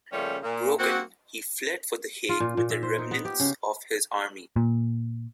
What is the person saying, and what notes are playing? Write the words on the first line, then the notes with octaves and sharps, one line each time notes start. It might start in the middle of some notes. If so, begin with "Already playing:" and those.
Broken, he fled for The Hague with the remnants of his army.
C#3 F3 G3 A3 A#3 C#4
A#2
A#3 C4 F#4
F4
A#2
A#2
E5
C5
D#4
B3
G4
C#3
A#2